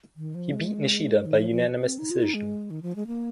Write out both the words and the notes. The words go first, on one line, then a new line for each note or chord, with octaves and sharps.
He beat Nishida by unanimous decision.
D#3
F3
G#3
D#3
F3
F3
C4
D#4
F4
D#4
G#3
D#3
F3
G#3
A#3